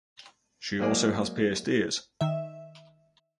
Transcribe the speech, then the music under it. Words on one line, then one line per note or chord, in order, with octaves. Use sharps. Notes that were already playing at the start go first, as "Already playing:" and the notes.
She also has pierced ears.
F#3 G#3 A#3 G#4 D5
D#3 E5